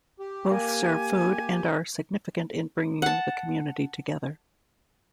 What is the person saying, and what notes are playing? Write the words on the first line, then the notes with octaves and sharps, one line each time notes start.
Both serve food and are significant in bringing the community together.
G4
A#3 G#5
F#5 A5